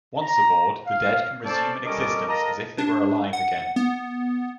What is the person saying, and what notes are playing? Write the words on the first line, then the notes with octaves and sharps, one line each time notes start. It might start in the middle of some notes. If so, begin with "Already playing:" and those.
Once aboard, the dead can resume an existence as if they were alive again.
A#5
F5
C#4 A4 C5 D5 A5
G3 C#4 A4 A#4 D#5 D6
F4 A4 A#4 D#5 A5 A#5
D4
F#5
B3